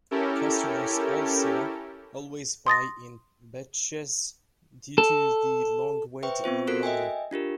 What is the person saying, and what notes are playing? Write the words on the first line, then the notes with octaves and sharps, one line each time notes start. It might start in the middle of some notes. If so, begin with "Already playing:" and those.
Customers also always buy in batches due to the long wait in line.
C#4 E4 G4 A4 A#4
C6 D#6 A6 A#6
A4
B4 C5 E5 G5 C#6
B3 C4 F4 C5
F#4 A4 A#4 F#6 B6 D7
D#5 E5 G5 G#5
D4 F4 G4 A#4